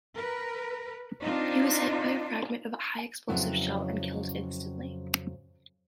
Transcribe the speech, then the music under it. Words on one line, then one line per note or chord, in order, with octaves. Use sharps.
He was hit by a fragment of a High Explosive shell and killed instantly.
A#4 B4
C4 D4 D#4 F4
F2 C#3 F#3 B3 E4